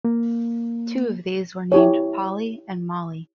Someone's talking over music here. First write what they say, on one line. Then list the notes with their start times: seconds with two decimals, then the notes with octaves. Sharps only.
Two of these were named Polly and Molly.
0.05 A#3
1.72 E4 G4 C#5